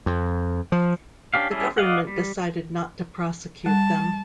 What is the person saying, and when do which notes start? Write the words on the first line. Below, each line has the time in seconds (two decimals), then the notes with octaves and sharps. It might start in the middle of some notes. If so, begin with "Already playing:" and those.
The government decided not to prosecute them.
0.06 F2
0.72 F3
1.34 C#4 D4 G4 F5
1.51 G3 C#4 E4 G#4 A4
1.78 D5 D#5 F5 F#5
2.07 G3
3.66 G3 A5